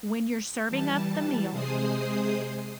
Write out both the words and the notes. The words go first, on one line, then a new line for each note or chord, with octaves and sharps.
when you're serving up the meal,
E3 G3 A5
C3 G#3 G#4 C5 D#6 C7